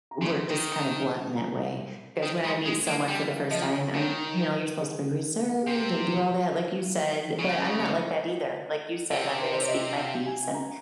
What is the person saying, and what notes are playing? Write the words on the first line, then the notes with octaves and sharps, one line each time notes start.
were just kinda blunt in that way 'cause when I meet someone for the first time, I'm, you know, you're supposed to be reserved and do all that like you said, but I'm not like that either. Like you said, I'm gonna speak my peace and
A#5
C#3 C6
D#3
A#5
D#3
G#3
G#3
A#3
G3 G5
F5
F3 D#5
C#5
D#3 C#5
A#4
G#4
G#4
C3 A#4
C#3
C3 A#4
C5
C5
C#5
D#5
F5
G#5
G#5
A#5